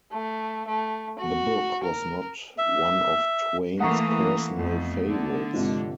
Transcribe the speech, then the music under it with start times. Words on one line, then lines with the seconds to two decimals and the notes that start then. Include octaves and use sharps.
The book was not one of Twain's personal favorites.
0.11 A3
0.68 A3
1.19 F#4
1.83 A#4
2.58 E5
3.80 E3 A3 A#3 F#5 A#5 C#6 D#6
4.57 F2 A3 B3
5.08 D3
5.53 G#1 C3 F3 G#3